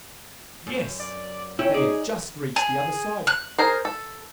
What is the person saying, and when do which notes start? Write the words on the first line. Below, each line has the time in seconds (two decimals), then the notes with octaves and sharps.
Yes! they had just reached the other side.
0.67 F#2
1.00 D5
1.59 C#4 E4 G5
1.74 D#4 G#4 D5
2.56 G#4
3.27 F#6
3.58 G#4 A#4 C5
3.85 A4